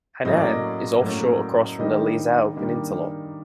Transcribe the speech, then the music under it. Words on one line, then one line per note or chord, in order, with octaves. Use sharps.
Hainan is offshore across from the Leizhou Peninsula.
A2 F#3 A#3 C#4 D#5
D5
D#5
A2 F#3 A#3 C#4
D#3 G3 A#3 D4 D#5
D#3 G3 A#3 D4